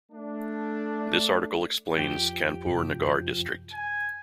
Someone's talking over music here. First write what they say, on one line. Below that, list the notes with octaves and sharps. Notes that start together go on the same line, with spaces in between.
This article explains Kanpur Nagar district.
A3 D4
F2 F3 G4 G5
F#2 C3
G#5